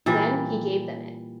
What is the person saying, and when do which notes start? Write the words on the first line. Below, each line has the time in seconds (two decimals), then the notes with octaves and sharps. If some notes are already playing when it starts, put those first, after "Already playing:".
Then he gave them it.
0.06 A#2 E3 G3